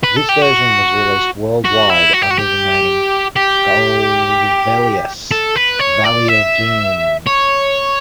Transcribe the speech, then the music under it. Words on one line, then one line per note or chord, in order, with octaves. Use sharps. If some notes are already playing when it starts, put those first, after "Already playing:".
This version was released worldwide under the name "Golvellius: Valley of Doom".
B4
A4
G4
F#4
F#4
E4
F#4
G4
F#4
G4
G4
A4
B4
C#5
D5
E5
C#5